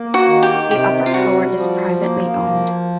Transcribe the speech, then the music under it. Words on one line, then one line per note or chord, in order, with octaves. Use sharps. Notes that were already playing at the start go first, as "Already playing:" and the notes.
The upper floor is privately owned.
Already playing: A#3
F#4
D#3
G4
C3 G4
F4
G3 F#4
F3
A#3
F3